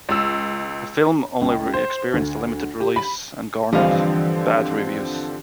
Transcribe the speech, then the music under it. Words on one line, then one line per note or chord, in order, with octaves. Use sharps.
The film only experienced a limited release, and garnered bad reviews.
C#2 E6
C#2
C5
D2
G4
B5
G2 D3 E3 F3 C4 D#5 F5